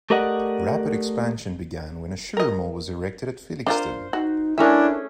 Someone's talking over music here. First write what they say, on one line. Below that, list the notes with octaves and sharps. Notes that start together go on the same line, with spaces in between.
Rapid expansion began when a sugar mill was erected at Felixton.
A3 G4 A#4 D5 D#5 F#5
A#4 D#5
D4 F4 A#4 C5
D#4 F#4
A3 C#4 D4 E4 G#4 A#4 E5